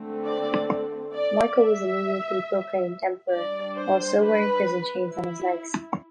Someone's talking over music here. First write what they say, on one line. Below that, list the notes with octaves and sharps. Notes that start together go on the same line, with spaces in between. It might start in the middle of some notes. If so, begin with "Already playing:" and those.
Michael was immediately proclaimed Emperor, while still wearing prison chains on his legs.
Already playing: D3 A3 C4
D5
D5
E5
G3 D4 D5
C5
B4
E4